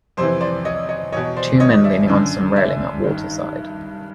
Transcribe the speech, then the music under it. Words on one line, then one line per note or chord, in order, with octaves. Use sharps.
Two men leaning on some railing at water side.
F2 C3 E3 C5
C5 D5
C#5 D#5
C#5 D#5
E2 B2 C#5 D#5
C5 D5
C#5 D#5
D5 E5
F#2 D3
D5 E5
G2 D#3